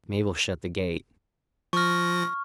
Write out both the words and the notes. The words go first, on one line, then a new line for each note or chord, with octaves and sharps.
Mabel shut the gate.
F3 C#6 F6 A#6